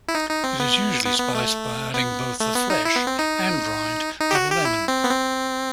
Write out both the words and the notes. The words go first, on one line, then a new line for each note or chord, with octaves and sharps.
It is usually spiced by adding both the flesh and rind of a lemon.
E4
D#4
D#4
C4
B3
B3
B3
A3
B3
A3
B3
D#4
E4
B3
C4
D#4
D#4
G4
F#4
G4
E4
C4
B3
C4